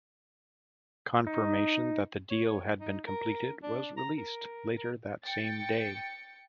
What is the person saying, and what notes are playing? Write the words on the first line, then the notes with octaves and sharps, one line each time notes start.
Confirmation that the deal had been completed was released later that same day.
D#4
C#5
D#4
A#4
D4
A#5
A#4
A#4
G5 A6 C#7